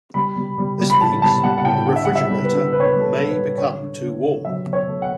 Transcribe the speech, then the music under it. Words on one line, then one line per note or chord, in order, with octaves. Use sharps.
This means the refrigerator may become too warm.
G3 B5
G3
G3
G3
B5
A2 A5
G3 A5
G3 F#5
F#5
A2 G5
D3 F#5
E5
F#5
G3
E5
G3
B4
D3
D3 B4
C#5
B4
G3
A4
G3
B4
G3
D3 C#5
D3
D3
D3
F#3 E5
F#3
C#5
A3
F#5